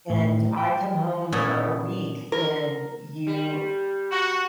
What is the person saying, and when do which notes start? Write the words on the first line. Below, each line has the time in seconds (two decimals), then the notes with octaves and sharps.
And I come home for a week, and you
0.10 A2
0.57 G5
1.32 A#2 B3 C#4 E4 A4
2.32 A#4
3.27 G3
4.11 F#4